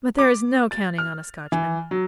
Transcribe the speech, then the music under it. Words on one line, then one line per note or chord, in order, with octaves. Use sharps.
But there is no counting on a Scotchman.
D6
A6
F6
E3
F#3